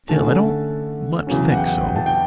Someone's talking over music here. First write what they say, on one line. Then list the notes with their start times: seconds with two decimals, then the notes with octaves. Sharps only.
Still, I don't much think so.
0.09 D3 A3 C#4 A5
1.27 E2 C#3 F#3 C#4
1.51 F#5
1.57 G5
1.87 G5
1.96 A5
2.06 G5